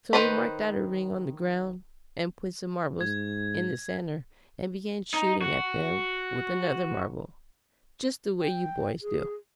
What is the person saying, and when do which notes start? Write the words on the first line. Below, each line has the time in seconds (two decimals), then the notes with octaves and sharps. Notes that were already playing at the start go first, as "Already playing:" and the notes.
So he marked out a ring on the ground, and putting some marbles in the center began shooting at them with another marble, just the way you boys do.
0.13 D#3 D4 B4 C5 B5
3.01 G#2 G#6
5.14 D#4
5.42 F#4
8.40 G5
9.02 G#4